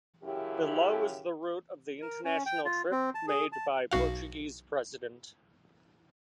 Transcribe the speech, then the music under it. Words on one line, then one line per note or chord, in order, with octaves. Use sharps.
Below is the route of the international trip made by Portuguese President.
F#2 C#3 E4 G4
A#4
C#4
G5
F4
C4
A5
G#4
A5
B1 B2 F#4 F5